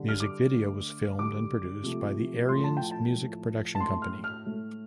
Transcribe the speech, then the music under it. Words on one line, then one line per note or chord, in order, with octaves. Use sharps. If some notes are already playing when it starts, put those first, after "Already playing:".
Music Video was filmed and produced by the Aryans Music production company.
Already playing: D3 G3
F6
D6
D3 A3
D3 G3 D6
C3 F3 A3
A2 F3 A3 C6
A5
G5
A5
A2 F3 A3
A5
A2 A3 C6
F6
F6
A2 A3